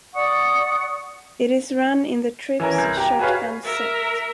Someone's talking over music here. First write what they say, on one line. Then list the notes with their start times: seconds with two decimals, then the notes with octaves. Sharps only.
It is run in the trips shotgun set.
0.14 D5 F#5 C#6 D#6
2.60 E3 C#4 A#4
2.78 C2 A#4 G#6
2.97 G4 A#5
3.19 F#4 G#4 B4 C#5 F5
3.64 A#4 E5